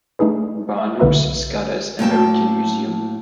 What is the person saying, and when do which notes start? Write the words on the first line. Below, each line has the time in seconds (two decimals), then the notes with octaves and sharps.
Barnum's Scudder's American Museum.
0.19 A3 D4 D#4 G#4 B4
0.78 E5
0.99 B1 D3 A#3 B4 E5 A#5
1.99 A2 A#3 G5 A5